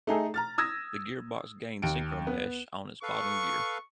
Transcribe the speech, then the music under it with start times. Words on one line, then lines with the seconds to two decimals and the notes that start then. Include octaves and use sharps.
The gearbox gained synchromesh on its bottom gear.
0.07 A3 D#4 G#4 A4
0.34 A#5 F6 A6
0.58 D#6 E6 G#6 A#6
1.82 D#2 D7
2.27 B3
3.03 A4 B4 F5 C#6